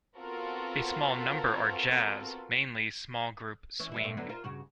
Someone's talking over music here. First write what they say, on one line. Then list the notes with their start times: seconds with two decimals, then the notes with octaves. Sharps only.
A small number are jazz, mainly small group swing.
0.18 B3 C4 F4 F#4 A4 A#4
3.79 E3 C#4
3.92 E3 G3 E4
4.04 A#2 A3 C4
4.17 D3 F#3 B3
4.29 F4 A#4 C5
4.44 G2 C#3 F#4